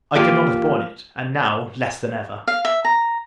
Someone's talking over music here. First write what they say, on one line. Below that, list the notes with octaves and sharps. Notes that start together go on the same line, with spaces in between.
I could not have borne it; and, now, less than ever.
F3 A#3 F4 G4
F5
E5
A#5